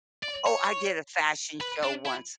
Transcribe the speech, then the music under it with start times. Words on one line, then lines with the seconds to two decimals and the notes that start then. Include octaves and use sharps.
Oh, I did a fashion show once!
0.23 D5
0.47 C#5
1.61 B4
1.83 D4
2.06 E4